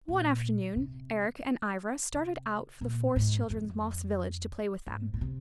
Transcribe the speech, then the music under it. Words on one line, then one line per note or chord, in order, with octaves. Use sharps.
One afternoon Eric and Ivra started out for the Forest Children's moss village to play with them.
A#2
C3
C3
A#2
G#2
F2
G#2
A#2
C3